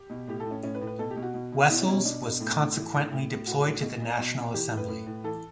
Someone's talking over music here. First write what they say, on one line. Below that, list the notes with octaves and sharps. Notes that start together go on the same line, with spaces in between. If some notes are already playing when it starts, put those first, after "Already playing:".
Wessels was consequently deployed to the National Assembly.
Already playing: G4
B2
A2 G4
A4
A2
C#4
A2 C#4
B4
A2
B4
B2 A4
G4
B2
F#4
B2
B2
B2 E4
C#4
B2
C#4
B2 D4
B2
A2
A2
E3 E4
A2
A2
A2
A2 F#4
A2
B2
B2
B2
B2
E3 G4
A2
B4
A2
A2
E3 A4